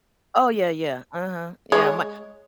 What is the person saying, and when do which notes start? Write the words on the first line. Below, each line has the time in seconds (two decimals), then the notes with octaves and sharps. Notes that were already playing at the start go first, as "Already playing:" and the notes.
Oh yeah, yeah, uh-huh. Yeah, my
1.72 G#3 C#5